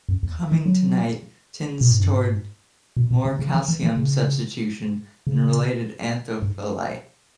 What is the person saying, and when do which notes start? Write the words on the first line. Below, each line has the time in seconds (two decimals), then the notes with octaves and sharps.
Cummingtonite tends toward more calcium substitution than related anthophyllite.
0.09 F#2
0.23 E2
0.52 E3
0.66 F#3
1.81 B2
1.91 G#2
2.00 F#2
2.10 G#2
2.97 B2
3.11 B2
3.25 C#3
3.39 C#3
3.54 E3
3.68 E3
3.83 E3
3.97 C#3
5.27 C#3
6.42 G#2